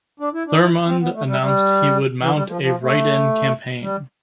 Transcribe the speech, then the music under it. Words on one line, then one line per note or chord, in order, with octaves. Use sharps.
Thurmond announced he would mount a write-in campaign.
D4
E4
D4
E4
C4
B3
A3
G3
G3
E3
G3
F3
F3
A3
G3